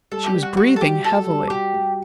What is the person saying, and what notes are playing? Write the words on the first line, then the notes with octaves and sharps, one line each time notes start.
She was breathing heavily.
G3 A4
G4
G3
F#4
G3 F#4
A4
F#4 G4
F#4 A4
G3
F#4 G4
G3